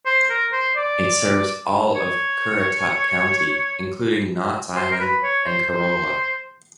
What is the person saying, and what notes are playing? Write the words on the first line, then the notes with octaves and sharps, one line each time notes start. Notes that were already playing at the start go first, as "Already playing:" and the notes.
It serves all of Currituck County including Knotts Island and Corolla.
C5
A#4
C5
D5
C#5
C5
A#4
B4
C#5
C5
C5